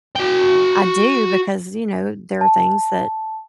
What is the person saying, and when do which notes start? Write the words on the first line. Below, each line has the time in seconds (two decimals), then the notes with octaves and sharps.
I do because, you know, there are things that
0.16 F#4 G5
2.41 A5